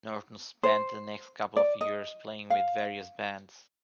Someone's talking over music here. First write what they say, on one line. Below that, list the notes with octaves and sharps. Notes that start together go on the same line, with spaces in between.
Norton spent the next couple of years playing with various bands.
C5
D5
D#5
F5